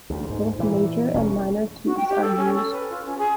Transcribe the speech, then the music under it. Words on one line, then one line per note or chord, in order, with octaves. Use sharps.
Both major and minor keys are used.
D2
G#2
A#2 E3
E1 C#4
F#4
G5
G4
A4
C#4
A4
B4
F4
C#4
G#4